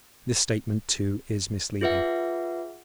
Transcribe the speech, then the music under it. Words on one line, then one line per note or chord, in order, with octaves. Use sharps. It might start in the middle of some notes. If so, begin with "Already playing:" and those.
This statement, too, is misleading.
F4 G#4 B4 E5 F#5